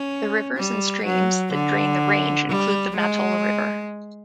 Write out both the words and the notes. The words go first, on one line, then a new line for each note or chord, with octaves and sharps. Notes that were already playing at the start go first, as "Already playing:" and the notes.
The rivers and streams that drain the range include the Mattole River.
Already playing: C#4
G3
F#3
D3
G3
G#3